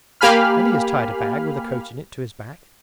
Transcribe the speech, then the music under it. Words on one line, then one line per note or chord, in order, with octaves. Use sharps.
'And he has tied a bag with a coat in it to his back.'
A#3 G4 F5 G#5 B5 F6